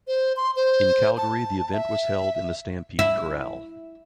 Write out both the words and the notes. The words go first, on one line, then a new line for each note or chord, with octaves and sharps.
In Calgary the event was held in the Stampede Corral.
C5
C6
C5
A5
E5
E4